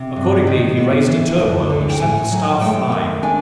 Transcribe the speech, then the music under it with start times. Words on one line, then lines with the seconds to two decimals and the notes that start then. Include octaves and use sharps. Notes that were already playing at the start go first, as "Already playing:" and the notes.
Accordingly he raised a turmoil which sent the staff flying.
Already playing: C3
0.16 G2
0.47 D#3
0.77 B3
1.08 E3
1.38 D2
1.69 D3
1.90 G5
2.00 A2 G#5
2.31 F#3
2.61 A3 G5
2.92 D#3
3.23 D4 G#5